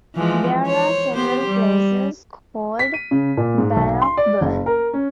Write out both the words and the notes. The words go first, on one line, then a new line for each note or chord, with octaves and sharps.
There are several places called Bannockburn.
E3 F3 G#3
C5 C#5
B3 G4 C5
G3
B6
D#7
C#3
A#2
G#2
B1
C6
D5
F#1
A#4
C#4